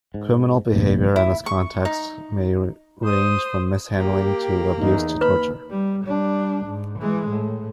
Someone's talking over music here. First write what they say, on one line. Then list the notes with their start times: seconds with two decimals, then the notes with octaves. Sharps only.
Criminal behavior in this context may range from mishandling to abuse to torture.
0.14 G#2
0.74 F1 A#1 D#2
1.16 E4
1.46 C#6
1.85 D#4
3.05 C5 D#6
3.99 A#3 G4
4.79 E2 D#4
5.21 D#2 B4 B5
5.70 G3
6.05 G3 D4
6.65 G#2
6.99 E3 G#3
7.29 A2